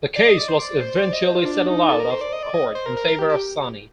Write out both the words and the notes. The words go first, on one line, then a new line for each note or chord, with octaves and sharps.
The case was eventually settled out of court in favor of Sony.
D5
D#5
D5
C5
D5
C5
D5
D#5
C5
F4
D4
D#4
A4
A#4
C5
D5
D#5
D5
D#5
C5
A#4
A#4
A#4
G4
G4